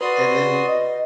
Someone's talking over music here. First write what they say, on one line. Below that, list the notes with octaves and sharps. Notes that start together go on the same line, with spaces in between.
and then
F#4 B4 D5 C6 D#6
D#5